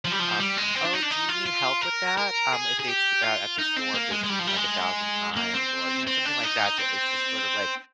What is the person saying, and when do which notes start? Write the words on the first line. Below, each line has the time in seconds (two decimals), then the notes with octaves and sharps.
um, "Oh, do you need help with that?" Um, If they've see uh, at the store, if they've seen me, like, a thousand times or, you know, something like that that it's just sort of like,
0.05 F3
0.12 G3
0.19 F3
0.40 G3
0.57 G#3
0.75 C4
0.84 D4
0.93 D#4
1.02 D4
1.10 D#4
1.29 F4
1.46 F4
1.81 A#4
2.17 A#4
2.53 G#4
2.80 G#4
2.89 G4
3.23 F4
3.59 D#4
3.76 C4
3.94 A#3
4.12 G#3
4.24 G#3
4.29 G3
4.39 F3
4.47 G3
4.57 G#3
5.36 A#3
5.54 C4
6.07 C4
6.25 D4
6.43 D#4
6.78 C4